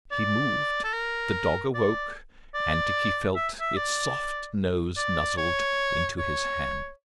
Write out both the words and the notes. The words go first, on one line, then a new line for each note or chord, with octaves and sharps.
He moved, the dog awoke, and Dickie felt its soft nose nuzzled into his hand.
D5
A4
A#4
D5
D5
E5
E5
D5
D5
C#5
C#5